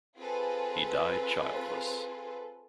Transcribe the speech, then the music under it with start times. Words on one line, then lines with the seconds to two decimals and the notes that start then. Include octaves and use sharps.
He died childless.
0.18 C4 F4 G#4 A4 B4